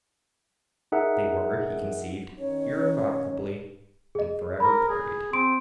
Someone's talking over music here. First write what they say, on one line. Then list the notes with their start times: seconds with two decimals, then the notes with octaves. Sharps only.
They were, he conceived, irrevocably and for ever parted.
0.92 D#4 G#4 A#4 E5 F#5
2.39 D#3 C#4 D#4 C#5
4.15 G#4 D#5
4.60 A#4 B5
4.89 G#4
5.33 C4 C6 D7